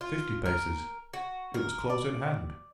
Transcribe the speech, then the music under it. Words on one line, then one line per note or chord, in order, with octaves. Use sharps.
Fifty paces--it was close at hand!
F4
A#4
F#4
A#4
D5